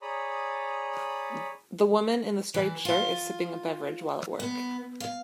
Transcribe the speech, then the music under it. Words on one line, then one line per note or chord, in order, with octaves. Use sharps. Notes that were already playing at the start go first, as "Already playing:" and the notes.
The woman in the striped shirt is sipping a beverage while at work.
G#4 C#5 D5 A#5 B5 D#6
E3
F4
B3
F5